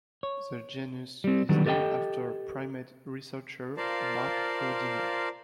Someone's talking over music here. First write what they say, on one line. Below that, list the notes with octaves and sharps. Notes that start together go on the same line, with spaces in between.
The genus is named after primate researcher Marc Godinot.
C#5
G3 C4
D3 D#3 F#3 G3 B3
G4 A4 D#5 E5 G5
F4 A#4 C5 D5 F5 A5